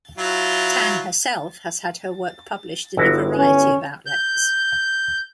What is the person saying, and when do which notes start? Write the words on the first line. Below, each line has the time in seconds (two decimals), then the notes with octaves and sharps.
Tan herself has had her work published in a variety of outlets.
0.18 F#3 E4 F4
2.97 G1 E4 F#4
3.38 C#4
4.06 G6